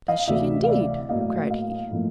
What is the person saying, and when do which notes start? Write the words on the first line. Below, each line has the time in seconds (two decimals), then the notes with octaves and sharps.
"Does she indeed?" cried he.
0.08 D#5 F5
0.28 D2 C3 E3 D5 E5
0.64 F5
0.69 D5 E5
1.09 A2 F#3 A#3 D#5 F5
1.50 D#5 F5
1.91 A2 F3 A#3